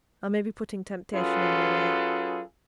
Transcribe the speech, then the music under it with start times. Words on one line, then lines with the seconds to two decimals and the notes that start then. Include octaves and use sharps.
I may be putting temptation in your way.
1.13 F#3 C#4 F4 G#4 A4 B4